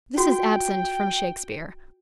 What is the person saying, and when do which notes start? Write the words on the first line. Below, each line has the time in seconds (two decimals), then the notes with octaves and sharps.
This is absent from Shakespeare.
0.18 F4 F#4 G5